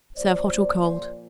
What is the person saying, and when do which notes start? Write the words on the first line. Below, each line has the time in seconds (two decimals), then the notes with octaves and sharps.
Serve hot or cold.
0.16 A#2 F3 C5 D5
0.81 C5 D5